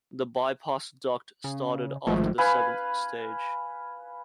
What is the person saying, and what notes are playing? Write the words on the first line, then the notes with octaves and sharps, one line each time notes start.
The bypass duct started after the seventh stage.
C#3
G#1 F3 G#3 A3
B4 F5 G#5 B5